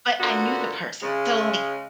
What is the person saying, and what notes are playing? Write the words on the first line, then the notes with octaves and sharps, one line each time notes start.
but I knew the person. So, like,
A#2 D3 B3 F#4
C#3 G#3